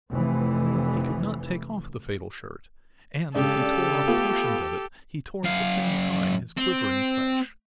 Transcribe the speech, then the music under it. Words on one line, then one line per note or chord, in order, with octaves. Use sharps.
He could not take off the fatal shirt, and as he tore off portions of it he tore, at the same time, his quivering flesh.
F1 E3
C#3 G#3 D4 G4 A4
A3 B3 F4
F#2 F5
C4